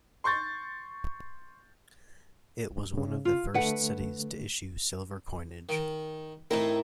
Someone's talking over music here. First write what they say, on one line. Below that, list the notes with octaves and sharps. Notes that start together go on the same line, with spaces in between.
It was one of the first cities to issue silver coinage.
C6 C#6 G6 A6
C#3
F4
D3 A3 B4 F#5
D#3
A2 C4 D#4 E4 A#4